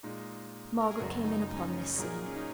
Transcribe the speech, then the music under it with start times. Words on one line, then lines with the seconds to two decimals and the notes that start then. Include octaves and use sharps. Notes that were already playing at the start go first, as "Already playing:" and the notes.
Margaret came in upon this scene.
0.03 A#2 G#3 D#4
0.81 A#4
0.91 G#4
1.00 F#1 F#2 F#3 F#4
1.24 D#4
1.49 D#4
1.57 C#4
1.64 D#4
1.97 A#2 F#3 D#4 G#4 A#4
2.26 C#4
2.36 D#4